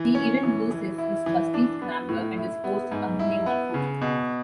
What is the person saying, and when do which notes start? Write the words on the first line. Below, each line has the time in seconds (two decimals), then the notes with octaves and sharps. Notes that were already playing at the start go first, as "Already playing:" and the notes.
He even loses his trusty Scrambler and is forced to continue on foot.
Already playing: E3
0.15 C#4
0.43 E3
0.71 E3
0.98 E4
1.26 E3
1.54 D4
1.82 B3
2.09 A2
2.37 E4
2.64 B3
2.92 G#2
3.19 E4
3.46 B3
3.74 C#3
4.01 B2